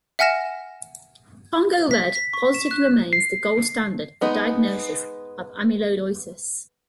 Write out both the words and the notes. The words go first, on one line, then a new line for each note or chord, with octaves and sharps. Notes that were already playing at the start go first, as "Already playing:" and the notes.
Congo Red positivity remains the gold standard for diagnosis of amyloidosis.
E5 F#5 G#5 F6 A#6 E7
B6
B6
C#6
E7
F#6
C7
G#3 B3 D#4